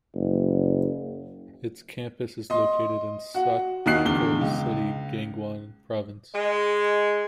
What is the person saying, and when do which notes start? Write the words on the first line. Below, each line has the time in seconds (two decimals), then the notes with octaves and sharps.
Its campus is located in Sokcho City, Gangwon province.
0.16 F#1
2.50 D#5 C6
3.34 F#4 F#5
3.86 D#2 D#3 D#4 F#4 F#6 C7
4.05 E2 D3 G7
4.41 C#2
6.34 G#3